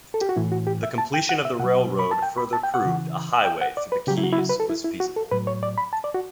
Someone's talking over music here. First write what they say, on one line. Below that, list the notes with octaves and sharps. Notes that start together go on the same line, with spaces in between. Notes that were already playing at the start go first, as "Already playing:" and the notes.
The completion of the railroad further proved a highway through the keys was feasible.
A4
G4
F#4
A2 E3 E4
F#4
G4
E5
A5
G5
F#5
E5
B2 F#3 F#5
B5
A5
G5
B5
A5
G5
F#5
C#3 E3
G5
F#5
D5
B4
C#3 F#3 G4
E4
F#4
E4
F#4
B4
A4
E4
E4
F#4
A4
A2 F#3 B4
C#5
D5
B5
A5
D5
F#4